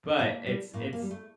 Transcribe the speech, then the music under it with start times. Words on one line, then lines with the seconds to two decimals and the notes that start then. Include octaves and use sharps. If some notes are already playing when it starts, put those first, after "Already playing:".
but it's it's,
0.19 A2 A#3
0.47 G3
0.73 A2 A#3
0.93 A#3
1.02 G3
1.11 A3